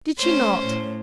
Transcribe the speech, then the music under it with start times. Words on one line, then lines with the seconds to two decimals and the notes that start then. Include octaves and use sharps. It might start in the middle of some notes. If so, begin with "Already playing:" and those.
Did she not?
0.20 A3 C#4 C5
0.66 A2